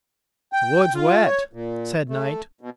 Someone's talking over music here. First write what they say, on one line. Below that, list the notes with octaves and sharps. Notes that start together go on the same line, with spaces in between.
"The wood's wet," said Knight.
G5
F4
C#5
A#2
A3
B2